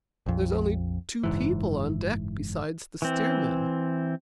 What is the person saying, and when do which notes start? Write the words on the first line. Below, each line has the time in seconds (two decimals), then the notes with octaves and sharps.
There's only two people on deck besides the steersman.
0.26 A#1 F2
1.24 F#1 G#2 E3
3.02 E3 C4